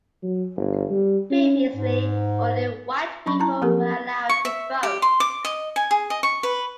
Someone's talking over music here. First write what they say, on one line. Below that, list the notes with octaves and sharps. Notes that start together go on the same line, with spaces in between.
Previously, only white people were allowed to vote.
F#3
G1
G3
C#4
G#2
F#3 C#4 B5 C#6
E4 A5 A#5
F3 A#3 C4 G4 A4 A#4
C#6
E5
G4
C6
D6
D#5
G#5
G#4
D#5
C#6
B4